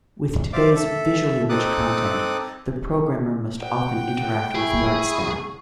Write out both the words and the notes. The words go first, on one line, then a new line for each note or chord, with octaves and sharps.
With today's visually rich content, the programmer must often interact with the art staff.
C5 D5 E5 F5 D6
A4 E5
C4 D#4 A4 D6 D#6 F#6
F#5 G5
E4 G#4 C#6